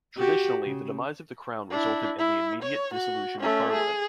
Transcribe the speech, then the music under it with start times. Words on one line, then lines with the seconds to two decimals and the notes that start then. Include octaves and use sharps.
Traditionally, the demise of the Crown resulted in the immediate dissolution of Parliament.
0.17 F#4 G4
0.65 C#3
1.71 D4 E4
2.18 E4
2.62 C#5
2.93 F#4
3.40 A3 C#4
3.73 G#4